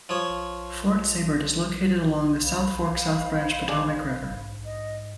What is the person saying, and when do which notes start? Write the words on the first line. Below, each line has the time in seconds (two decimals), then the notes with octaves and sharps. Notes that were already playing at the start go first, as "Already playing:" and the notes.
Fort Seybert is located along the South Fork South Branch Potomac River.
0.09 F3 C#5
2.43 C2 C5 F5 B5
3.16 G1
3.68 G#3 D4
4.30 G#2
4.64 D#5